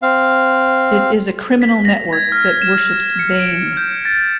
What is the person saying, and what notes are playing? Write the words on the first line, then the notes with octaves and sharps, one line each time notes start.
It is a criminal network that worships Bane.
C4 F5
B6
A#6
G#6
F6
E7
C#7
D7
G6
A6